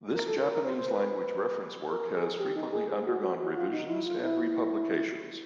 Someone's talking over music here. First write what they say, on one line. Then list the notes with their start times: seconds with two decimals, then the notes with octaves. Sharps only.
This Japanese language reference work has frequently undergone revisions and republications.
0.14 A#4
0.27 A4
0.40 A#4
0.52 A#4
0.64 C5
0.77 C5
0.89 B4
1.89 A#4
2.14 G#4
2.39 G4
2.56 D#4
2.72 G#4
2.89 G#4
3.07 F#4
3.23 F#4
3.39 F#4
3.56 F4
3.73 D#4
3.89 E4
4.06 F4
4.23 E4